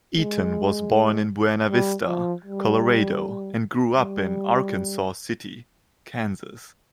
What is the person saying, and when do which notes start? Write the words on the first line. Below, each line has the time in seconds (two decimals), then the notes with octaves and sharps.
Eaton was born in Buena Vista, Colorado and grew up in Arkansas City, Kansas.
0.17 G#3
1.69 G3
2.07 F3
2.45 G3
3.97 G3